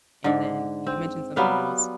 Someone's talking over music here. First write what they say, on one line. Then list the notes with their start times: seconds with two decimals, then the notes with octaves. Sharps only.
And then you mentioned something else
0.24 G#2 D3
0.87 C4
1.36 F#3 G3 B3 F5